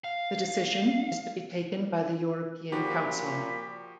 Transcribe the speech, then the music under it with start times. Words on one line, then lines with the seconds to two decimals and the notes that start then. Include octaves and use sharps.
The decision is to be taken by the European Council.
0.04 F5
2.72 A#2 F3 F#4 G4 B5